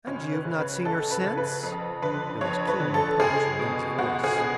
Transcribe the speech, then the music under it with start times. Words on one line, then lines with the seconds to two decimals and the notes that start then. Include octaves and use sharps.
"And you've not seen her since?" There was keen reproach in Ned's voice.
0.07 C#2 C#4
0.32 B4
0.45 C#3
0.59 B4
0.85 C#2 A4
1.11 B4
1.24 C#3
1.38 B4
1.63 F2
2.02 D3 B4
2.41 F2 C#5
2.67 B4
2.80 D3
2.94 A4
3.20 C#2 G#4
3.59 B2
3.98 C#2 F#4
4.24 G#4
4.38 B2